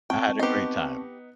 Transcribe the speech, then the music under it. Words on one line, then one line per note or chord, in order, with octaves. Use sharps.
I had a great time.
C4 G5 A5 C#6
B3 D#4 G4 C5